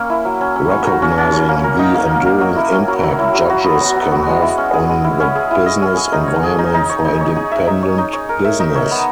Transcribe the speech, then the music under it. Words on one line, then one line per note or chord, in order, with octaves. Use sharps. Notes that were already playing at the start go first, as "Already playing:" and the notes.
Recognizing the enduring impact judges can have on the business environment for independent business.
Already playing: A#3 C#4
E4
F#3
C#4
C#4
C#5
F#4
C#4
C#4
C#5
A#3
A#4
D#4
A#3
A#3
A#4
F#3
E4
C#4
F#3
F#3
E4
F#3
F#4
B3
F#3
F#3
F#4
G#3
E4
C#4
G#4
G#3
E4
C#4
G#4
E4
D#5
C#4
G#4
D#4
C#5
G#4
D#4
D#4
C#5
D#4
C#5
G#4
E5
D#4
C#5
D#4
C#5
A#4
E5
D#4
C#5
B3